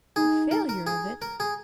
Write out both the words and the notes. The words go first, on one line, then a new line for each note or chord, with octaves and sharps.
"A failure of it!"
D#4 G#4
A#4
A#4
G#4
A#4
G#4